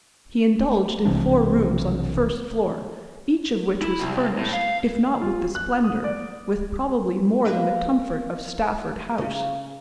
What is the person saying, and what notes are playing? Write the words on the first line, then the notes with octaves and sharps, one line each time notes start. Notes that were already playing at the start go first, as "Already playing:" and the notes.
He indulged in four rooms on the first floor, each of which was furnished, if not with the splendour, with probably more than the comfort of Stafford House.
B1 C3 E3 D4
E4
C2
A2
F5
F4
F#6
D#6
D5
A#3 D4 B4
C#3